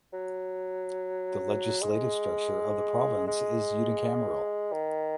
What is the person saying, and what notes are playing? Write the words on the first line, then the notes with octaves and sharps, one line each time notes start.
The legislative structure of the province is unicameral.
F#3
G#3
G#3
D#3